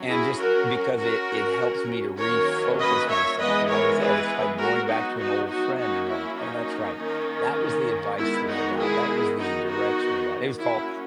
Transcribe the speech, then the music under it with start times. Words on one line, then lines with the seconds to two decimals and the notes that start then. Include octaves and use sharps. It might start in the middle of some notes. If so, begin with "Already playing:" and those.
and just because it it helps me to refocus myself and like I said, it's like going back to an old friend and going, "Oh, that's right. That was the advice that I got, that was the direction I got." It was called
Already playing: F#3 C#4
0.08 E4 G#4
0.39 F#4 A#4
0.98 F#3 C#4 F#4 A#4
2.18 D#3 F#3 A#3 C#4 A#4 C#5
2.78 B4 D#5
3.08 C#5 E5
3.39 E3 G#3 B3 B4 D#5
3.68 A#4 C#5
3.99 G#4 B4
4.59 F#3 B3 F#4 A#4
4.88 D#4 F#4
5.18 D#4 F#4
5.49 D#4 F#4
5.79 F#3 A#3 C#4 D#4 F#4
6.09 E4
6.39 D#4
6.99 D#3 A#3 C#4
8.18 D#3 G#3 B3 E4
8.48 D#4 F#4
8.78 E4 G#4
9.38 D#3 F#3 B3 D#4 F#4
9.68 D#4 F#4
10.58 F#3 A#3 C#4 E4